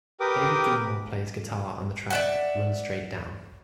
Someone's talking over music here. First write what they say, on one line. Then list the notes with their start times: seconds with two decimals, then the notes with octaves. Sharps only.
David Gilmour plays guitar on the track Run Straight Down.
0.20 G4 A#4 B4 G5 D6 D#6
2.10 D5 E5 F#5